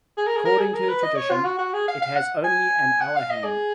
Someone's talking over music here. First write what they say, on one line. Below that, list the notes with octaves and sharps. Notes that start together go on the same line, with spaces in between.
According to tradition, it has only an hour hand.
G#4
A#4
G#4
A#4
G#4
A#4
B4
D#5
C#5
F4
F#4
F#4
G#4
F5
F5
F#5
G#5
F#5
F5
D#5
G#4